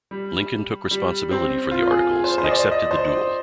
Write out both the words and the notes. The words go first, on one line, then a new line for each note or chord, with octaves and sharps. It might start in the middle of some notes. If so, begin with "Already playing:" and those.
Lincoln took responsibility for the articles and accepted the duel.
G3
G3
C4
F4
G#4
C5
C5
D#5
D5
D#5
C5